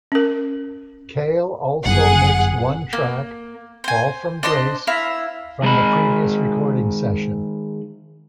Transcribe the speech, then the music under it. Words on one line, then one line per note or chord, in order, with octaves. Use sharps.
Cale also mixed one track, "Fall from Grace", from the previous recording session.
C#4 A#4
G1 F#2 G#4 F#5
A#3
C5 G#5
D4 C5 D#5 C6
E4 E5 F5 A#5
D#3 G#3 G#4 D5 D#5 B5